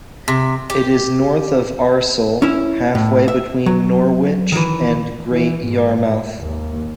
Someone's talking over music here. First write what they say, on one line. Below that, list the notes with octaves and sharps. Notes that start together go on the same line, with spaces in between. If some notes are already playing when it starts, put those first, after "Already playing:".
It is north of Acle, halfway between Norwich and Great Yarmouth.
C3
G4
C#4 E4
A2
E5
F#3
D#3 E3
E3
G#2
D#2